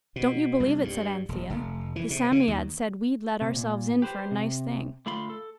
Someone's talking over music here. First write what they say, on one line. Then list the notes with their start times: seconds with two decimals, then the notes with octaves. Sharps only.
'Don't you believe it!' said Anthea. 'The Sammyadd said we'd let ourselves in for a nice thing.
0.16 B2
0.60 C2
0.84 G2
1.29 D#1
1.50 F1
1.96 E3
2.11 C3
2.32 C#3
2.48 D#2
3.41 C3
3.55 A#2
4.02 G4 B4 C5
4.31 C3
5.06 D3 A3 F4 F5 B5 C6
5.30 A4